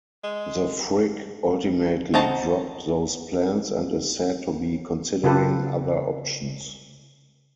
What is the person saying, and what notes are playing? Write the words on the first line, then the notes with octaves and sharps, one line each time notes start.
The Frick ultimately dropped those plans and is said to be considering other options.
G#3
C4 D#4 F#4 A5 A#5
C#3 F4 G4 A4 B4